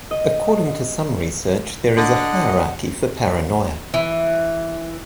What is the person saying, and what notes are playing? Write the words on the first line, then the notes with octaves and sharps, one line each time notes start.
According to some research there is a hierarchy for paranoia.
D#5
D3 D#5 F#5
E3